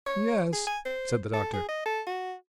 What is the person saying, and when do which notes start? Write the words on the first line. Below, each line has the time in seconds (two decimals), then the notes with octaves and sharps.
"Yes," said the doctor.
0.06 C#5
0.53 G#4
0.67 G#5
0.85 C5
1.33 A4
1.53 G#4
1.69 D#5
1.86 A4
2.07 F#4